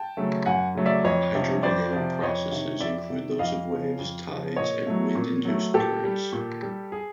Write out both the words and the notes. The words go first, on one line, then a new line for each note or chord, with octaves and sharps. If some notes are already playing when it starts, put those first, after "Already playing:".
Hydrodynamic processes include those of waves, tides and wind-induced currents.
Already playing: G5 A5
C#3 F#3 A3
F#2 F#5 G#5
C#3 F#3 A3
D5 E5
F2 C#5 D#5
C3 F3
F2 C5 D5
C3 F3
F2 C#5 D#5
C3 D#3
F2 D5 E5
C3 D#3
F2 D#5 F5
C#3 F3
F2
C#3 F3
A#2 C#5 D#5
F#3 A3
A#2
F#3 A3
A#2 G4 A4
G3
A#2
G3
G#4